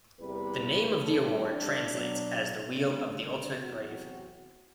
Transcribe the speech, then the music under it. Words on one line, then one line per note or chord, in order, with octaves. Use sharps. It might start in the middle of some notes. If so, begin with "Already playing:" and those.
The name of the award translates as the "Wheel of the Ultimate Brave".
E2 C3 G3 B4
C2 C3 E3 G3 C4 A4
D4
B2 F#3 B3
G2 D3 A3 C4 D4
D4
E2 C3 F#3 C4 F#4